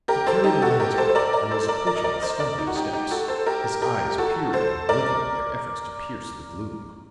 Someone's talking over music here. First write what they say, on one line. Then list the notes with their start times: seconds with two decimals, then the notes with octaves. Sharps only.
He carried a lantern and was approaching with stumbling steps, his eyes peering and blinking in their efforts to pierce the gloom.
0.08 G4 A#4
0.27 A4 C5
0.44 D#4 G4
0.62 F#4 A4
0.80 G4 A#4
0.98 A4 C5
1.09 C5
1.15 A#4 D5
1.33 A#4 D5
1.51 A4 C5
1.68 A#4 D5
1.87 A#4 D5
1.95 D#5
2.04 A#4 D5
2.22 C5 D#5
2.40 A#4 D5
2.58 D#4
2.67 F#4
2.75 D#4 G4
2.93 D#4 G4
3.11 F#4 A4
3.28 A4 C5
3.46 G4 A#4
3.82 G4 A#4
4.18 F#4 A4
4.53 A4 C5
4.89 A#4 D5